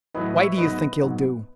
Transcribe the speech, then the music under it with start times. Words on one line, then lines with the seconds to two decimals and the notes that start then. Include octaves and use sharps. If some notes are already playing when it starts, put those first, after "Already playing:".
"Why do you think he'll do?"
0.14 A2 F#3 A3 B4 D#5
0.36 C#5 E5
0.57 G#2 F#3 B3 D#4 B4 D#5
1.01 G#2 F#3 B3 D#4